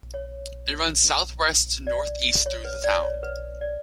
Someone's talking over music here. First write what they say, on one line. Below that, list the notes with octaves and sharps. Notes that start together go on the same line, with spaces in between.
It runs southwest to northeast through the town.
C#5
D5
C#5
B4
D5
C#5
B4
D5